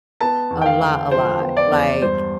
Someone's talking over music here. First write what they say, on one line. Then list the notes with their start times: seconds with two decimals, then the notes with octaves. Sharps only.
A lot, a lot, like
0.21 B3 A5
0.51 E2
0.61 G5
0.66 F5
0.81 D3
1.11 F3 C5
1.42 B3
1.57 D5
1.72 E2
2.02 G2 C5